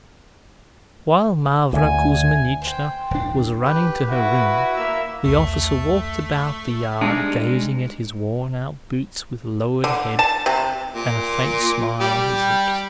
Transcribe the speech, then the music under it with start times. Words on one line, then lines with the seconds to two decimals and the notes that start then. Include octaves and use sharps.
While Mavra Kuzminichna was running to her room the officer walked about the yard gazing at his worn-out boots with lowered head and a faint smile on his lips.
1.73 D2 G#5
2.62 C5 G5
3.11 D#1 D4
3.65 G4 B4
4.11 E4 F#4 B4
4.75 A#3 E5
5.25 B1 E2 A3
7.01 G3 G#3 D4 D#4
9.84 D3
10.19 A5
10.46 C3
10.95 A#2
12.01 G3